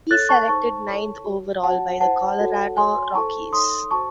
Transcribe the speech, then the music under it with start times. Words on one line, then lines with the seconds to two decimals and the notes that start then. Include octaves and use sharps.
He selected ninth overall by the Colorado Rockies.
0.10 E4 A4 C#5 F#6 A6
0.29 A5 C#6
0.48 D#4 G#4 C5 A5 C#6
0.87 E4 A4 C#5
1.24 F#4 C#5
1.63 F#4 C#5 F#5 A5
2.00 E4 C5 F#5 A5
2.40 F#4 A4 C#5
2.77 F#4 C#5 G#5 C6
3.15 E4 A4 C5 A5 C#6
3.53 D#4 A4 C#5 C6 D#6
3.91 F#4 C5 A5 C#6